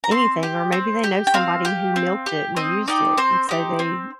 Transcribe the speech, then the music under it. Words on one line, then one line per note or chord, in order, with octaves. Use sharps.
anything, or maybe they know somebody who milked it and used it, and so they
A#5
C4 C6
G4
C4
G4
G5
C4 F5
G4
C4
G4
C4 D#5
D#4 G4 D5
C4 C5
D#4 G4
C4